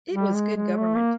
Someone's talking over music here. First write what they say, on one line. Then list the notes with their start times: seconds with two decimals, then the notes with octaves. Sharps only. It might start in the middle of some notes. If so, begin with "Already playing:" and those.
It was good government.
0.12 G3
0.34 G#3
0.56 G#3
0.78 A3
0.94 A#3